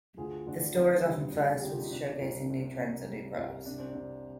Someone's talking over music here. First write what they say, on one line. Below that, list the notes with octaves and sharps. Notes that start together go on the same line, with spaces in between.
The store is often first with showcasing new trends and new products.
D2 F4 G#4
D2 D4 F4
D2 C4 D#4
G3 D4
C4
D2 D4
G#4
C3 G4
F4
D#4
C3 D4
C2
C3
C3
G3
C2
C3 D4
C4
C3 D4